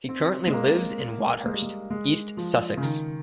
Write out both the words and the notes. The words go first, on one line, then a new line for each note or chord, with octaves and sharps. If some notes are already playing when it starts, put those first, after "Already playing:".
He currently lives in Wadhurst, East Sussex.
C4
G#3
A#3
G#3
G3
G#3
G#3
F3
C#3
D#3